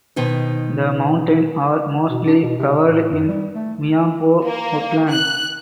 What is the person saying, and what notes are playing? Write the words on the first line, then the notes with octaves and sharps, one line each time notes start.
The mountains are mostly covered in miombo woodland.
B2 D#3 B4 C5
B2
D4
B2
C3
A2
F#2
G3
A3
A#3
F#6